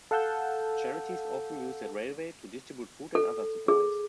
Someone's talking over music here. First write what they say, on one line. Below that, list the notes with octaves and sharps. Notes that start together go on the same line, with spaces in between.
Charities often use the railway to distribute food and other supplies.
A4 F5 F#5 A5 E6 G6
A4
G#4